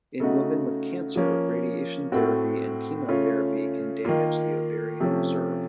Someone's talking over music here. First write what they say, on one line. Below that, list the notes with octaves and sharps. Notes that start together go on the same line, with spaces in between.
In women with cancer, radiation therapy and chemotherapy can damage the ovarian reserve.
C#3 A3 D#4 F#4
F3 A#3 C#4
A2 A3 C4 F#4
C#3 A3 C#4 F4
D#3 A#3 F4
C3 F3 A3 C#4